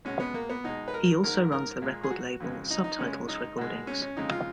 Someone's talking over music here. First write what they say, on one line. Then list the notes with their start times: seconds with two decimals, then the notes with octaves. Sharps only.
He also runs the record label Subtitles Recordings.
0.05 B2 G#3 C#4
0.20 B3
0.34 A#3
0.50 B3
0.64 B2 G#3 D#4
0.88 B4
0.94 A#4
1.23 G#2 D#3 G#3 A#4
1.52 A#4
1.82 A#2 G#3
2.03 G#4
2.11 F#4
2.40 F2 C#3 G#3
2.70 D#4
2.84 D#4
2.99 F#2 C#3 G#3 C#4
3.28 D#4
3.58 B2 G#3
3.87 C#4
4.02 C#4
4.17 F2 C#3 G#3 D#4
4.32 F4